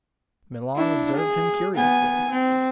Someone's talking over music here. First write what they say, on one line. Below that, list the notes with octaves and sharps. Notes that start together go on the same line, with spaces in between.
Milon observed him curiously.
D4 E4
G#4
B3 G#5
C4